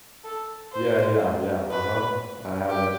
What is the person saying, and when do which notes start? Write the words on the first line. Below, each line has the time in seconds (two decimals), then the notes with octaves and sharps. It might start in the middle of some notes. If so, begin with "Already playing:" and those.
Yeah, yeah, yeah, uh-huh. I have it
0.24 A4
0.72 C5
1.70 B4
2.68 G4